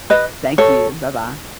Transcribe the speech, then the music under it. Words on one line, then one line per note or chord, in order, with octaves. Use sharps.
Thank you. Bye-bye.
B4 D#5
A4 C#5